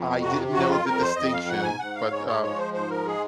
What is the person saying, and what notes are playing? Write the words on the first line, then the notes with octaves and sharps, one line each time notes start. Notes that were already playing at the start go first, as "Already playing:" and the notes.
I didn't know the distinction, but, uh,
Already playing: F2
C3 F#4
F2 F#4
F4
F2 A#4
C5
F2 D#5
F5
G#2 F#5
G#5
G#2 F#5
F5
G#3 C#5
C#5
F3 C#5
C5
G#2 C5
A#4
G#3 G#4